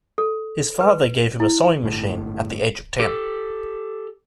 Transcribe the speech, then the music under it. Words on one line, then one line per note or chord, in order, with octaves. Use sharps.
His father gave him a sewing machine at the age of ten.
A4
B4
E4
G1 A2
G4 A4